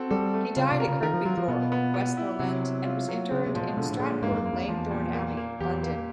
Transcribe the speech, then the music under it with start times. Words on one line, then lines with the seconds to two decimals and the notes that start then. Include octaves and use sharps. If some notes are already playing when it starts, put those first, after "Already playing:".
He died at Kirkby Thore, Westmorland and was interred in Stratford Langthorne Abbey, London.
Already playing: C4 F#4 A4
0.10 G3 A4
0.34 A3
0.57 C#3 F4
0.72 C3
0.80 A#4
0.87 C#3
1.02 D#3 A#4
1.14 F3
1.25 F#3 F4
1.37 F3
1.48 B2 B3
1.72 B3
1.94 B3
2.17 E4
2.40 C3 F#3
2.62 F#3
2.85 F4
3.09 F#3
3.31 C#3 G#3
3.46 C3
3.55 A#2 F3
3.62 B2
3.77 B2 D3
3.89 A2
4.00 A#2 G#3
4.22 G#2 A#3
4.32 F2
4.37 F#2
4.46 A#3
4.53 F2
4.68 E2 F3
4.91 A#2
5.14 A#3
5.37 A#3
5.60 E2 G4
5.83 A#3